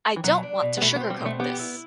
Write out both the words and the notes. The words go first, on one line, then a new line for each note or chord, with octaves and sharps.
I don't want to sugarcoat this.
E3
B2 F#3
D4
B2
B3
B2 A3
B3
C4
G3
B2 A3
B3 G4
E4